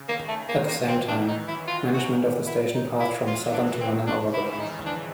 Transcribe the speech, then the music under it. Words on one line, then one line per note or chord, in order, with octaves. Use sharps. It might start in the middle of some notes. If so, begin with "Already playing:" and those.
At the same time, management of the station passed from Southern to London Overground.
Already playing: C#3
D#3 A#3
A3
A#3
A#3
E3 C4
D#3 D4
D#4
F#3 E4
F4
F#4
E4
D#4
E4
F#3 F4
E3
D4
C#3
C4
G2
G#2 D4
C#3
E4
D#3
E4
D#4
E3
F3 D4